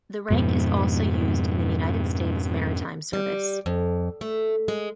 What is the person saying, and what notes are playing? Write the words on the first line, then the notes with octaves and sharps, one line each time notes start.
The rank is also used in the United States Maritime Service.
F2 G#2 B2
G3
F2
A3
G#3